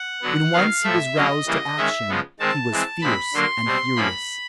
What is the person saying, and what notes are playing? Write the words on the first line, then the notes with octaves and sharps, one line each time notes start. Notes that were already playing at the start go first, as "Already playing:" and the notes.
When once he was roused to action, he was fierce and furious.
Already playing: F#5
D3 F#3 B3
D#3 F#3 B3 F5
A2 F3 A3 E5
C#3 F#3 A#3 C#4 D#5
C#3 E3 G3 A#3
D#3 G#3 C#4 E5
C#3 F3 G#3 B3
D#3 G#3 C4 A5
E3 G#3 C4
A#2 F3 G#3 C4 B5
D3 F#3 A#3 C6
B2 G3 C4
A2 F3 A#3 C#4 B5